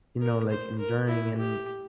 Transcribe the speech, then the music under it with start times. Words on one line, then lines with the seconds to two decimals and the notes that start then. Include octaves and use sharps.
you know, like, enduring and
0.21 A#4
0.50 C5
0.79 A#4
1.08 E4
1.37 G4